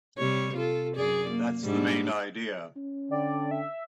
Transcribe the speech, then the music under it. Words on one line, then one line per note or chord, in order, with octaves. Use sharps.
That's the main idea.
C3 G3 C#5
F4 A4
F#2 G#4 D5
A#3
G#2 G3 D4
C#4
D3 D5 G5
E5